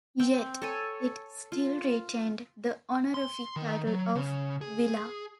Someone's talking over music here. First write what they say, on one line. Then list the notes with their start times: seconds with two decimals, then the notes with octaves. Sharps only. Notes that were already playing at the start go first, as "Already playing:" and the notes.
Yet, it still retained the honorific title of "vila".
0.19 C4 G5
0.62 A4 C#5 G#5
1.52 F4
3.14 C6
3.56 D#3
3.87 F#3
4.15 C#3
4.61 G#4